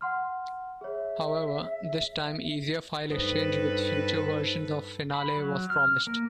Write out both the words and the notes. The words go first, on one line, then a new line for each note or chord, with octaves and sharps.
However, this time easier file exchange with future versions of Finale was promised.
F#5 C6 F6
G#4 C#5 E5
G2 D#4 A4 B4 C5
B5
F#3
F6
A#3